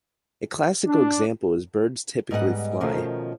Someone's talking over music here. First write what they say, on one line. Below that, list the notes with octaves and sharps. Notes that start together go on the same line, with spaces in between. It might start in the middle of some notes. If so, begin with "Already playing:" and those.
A classical example is: "birds typically fly".
D4
G#2 G3 B3 G#4 D#5 F#5
B2 D#3 F3 A3 C#4 A#4